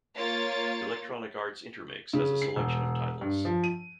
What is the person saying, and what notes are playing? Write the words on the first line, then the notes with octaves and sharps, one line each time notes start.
Electronic Arts Intermix has a selection of titles.
A#3 F4 C#5 A6
C#3
C7
E1
G2
F3
D#7